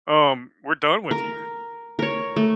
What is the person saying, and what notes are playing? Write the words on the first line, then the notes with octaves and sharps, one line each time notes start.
um, we're done with you.
A#4
A#4 C#5
A3